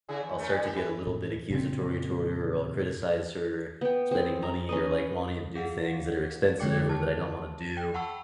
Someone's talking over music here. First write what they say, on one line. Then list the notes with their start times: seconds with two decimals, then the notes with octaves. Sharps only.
I'll start to get a little bit accusatory toward her or I'll criticize her spending money or, like, wanting to do things that are expensive or that I don't want to do.
0.09 C#3 E4 G#4
0.23 E2
0.39 A3 C#4 A#4
0.51 G3
0.65 G4 A4
0.77 E4 B4
1.07 A2
1.50 A#2 C#3 C4
3.81 B3 G5
4.11 C4 G#4
4.42 A#5
4.69 C#4 B4 D#5
5.55 G#4 F5 F#5
6.59 D3 G#3 C#5 G5 D6 C#7
6.89 A5
7.77 G5
7.94 F#5 A5 B5 C#6 E6